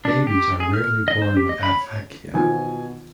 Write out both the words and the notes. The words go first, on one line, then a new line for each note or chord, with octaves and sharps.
Babies are rarely born with aphakia.
D4
G4
G#4
F6
D#5
C5
G4
D#5
B5
C#5
B2 D#3 F3 B3 G#5